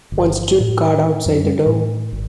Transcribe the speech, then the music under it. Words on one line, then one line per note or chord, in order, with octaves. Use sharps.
One stood guard outside the door.
G1
A2
F#2
G3
A2
G#1